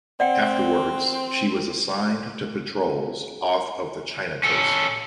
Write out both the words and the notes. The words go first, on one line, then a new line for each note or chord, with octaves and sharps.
Afterwards, she was assigned to patrols off of the China coast.
C4 D5 F#5 G5
C#4 A4